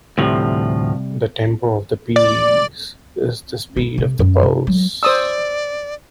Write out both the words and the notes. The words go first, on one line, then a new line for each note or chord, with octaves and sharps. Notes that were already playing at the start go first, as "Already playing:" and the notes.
The tempo of the piece is the speed of the pulse.
D2 A2 C3 F3 G3
D5
D#4 E4
C3
F#2
C3
F#3
C5 D5 D#6 E6